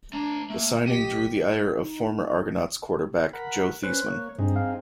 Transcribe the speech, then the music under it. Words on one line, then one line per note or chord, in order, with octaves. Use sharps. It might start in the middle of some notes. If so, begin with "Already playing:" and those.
The signing drew the ire of former Argonauts quarterback Joe Theismann.
A3 D4 A#5
A3 A#3
B1 G4 D#5 B6
D#4
A#4 F#5 B5
C#4 B4 C5 F#6
A#3 C#5
G2 C4 D#4 G#4
F5